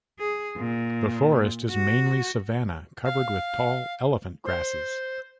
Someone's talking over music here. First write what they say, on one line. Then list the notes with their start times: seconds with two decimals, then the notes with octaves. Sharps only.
The forest is mainly savannah covered with tall elephant grasses.
0.19 G#4
0.57 A#2
1.71 F#4
3.04 F5
4.45 C5